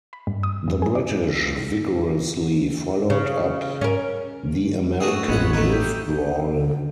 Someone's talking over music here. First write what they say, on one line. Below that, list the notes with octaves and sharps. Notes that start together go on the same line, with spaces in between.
The British vigorously followed up the American withdrawal.
B5
G2
D#6
F2
G#4
D5
C#3
C#4 A#4
A3 F#4 G#4
A1 G#3 B3 C#4 F#5
A3 D#4
G4
D3